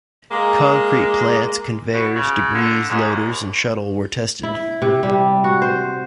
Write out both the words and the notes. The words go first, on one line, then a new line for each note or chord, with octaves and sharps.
Concrete plants, conveyors, degrees, loaders and shuttle were tested.
G#3 A#3
B2
C#3
D3
G#2
D#2
E4
C3
G3
F#4
C5